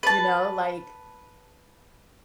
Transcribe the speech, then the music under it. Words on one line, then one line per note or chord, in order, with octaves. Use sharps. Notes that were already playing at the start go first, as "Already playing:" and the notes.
you know, like
B4 A5